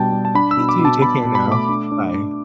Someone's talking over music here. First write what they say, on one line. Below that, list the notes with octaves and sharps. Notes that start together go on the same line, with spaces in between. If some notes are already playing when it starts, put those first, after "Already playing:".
You too, take care now, bye.
Already playing: B2 G3 D4 G5 A5
G3
A5
D4 B5
E6
B2
D6
B2
A5
B2 B5
B2
B5
A3 D6
D4
D4
D4